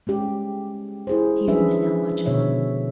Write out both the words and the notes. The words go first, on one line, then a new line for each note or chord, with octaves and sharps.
Peter was now much alarmed.
G#3 C#4 G4
E4 G#4 C5
F3 C#4 D4 G#4 B4 E5
B2 D3 C#5 E5